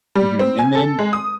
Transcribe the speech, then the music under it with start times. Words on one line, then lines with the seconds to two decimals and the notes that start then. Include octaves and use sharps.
mhm, and then,
0.15 G3
0.39 C4
0.59 G#5
0.75 A4
0.99 G#3
1.13 D#6